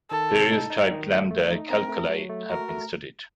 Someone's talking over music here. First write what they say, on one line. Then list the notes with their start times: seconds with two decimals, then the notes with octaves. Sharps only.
Various typed lambda calculi have been studied.
0.10 D#3 A4
0.31 C3
0.51 D#4
0.70 D#4
0.90 D#3
1.10 A3
1.30 A3
1.50 D#4
1.70 C4 A#4
1.89 A3
2.09 F#3
2.30 A3
2.49 F#4 A#4
2.69 A3